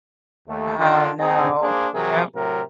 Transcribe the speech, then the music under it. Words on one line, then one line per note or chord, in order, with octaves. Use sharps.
Oh no, yep.
D#2 A3
D3 D#3 D4 F4
C4 D#4 G#4
A#3 D4 G#4 C5
C3 F#3 G#4 A#4
A2 C3 F#3 A#4